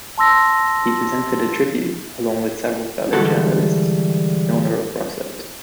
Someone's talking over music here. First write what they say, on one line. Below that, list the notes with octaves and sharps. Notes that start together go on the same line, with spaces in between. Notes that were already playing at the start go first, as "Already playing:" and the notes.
He presented a tribute, along with several fellow journalists, in honor of Russert.
A5 C6 E6 A#6
D3 E3 G3 G#3 F#4 A4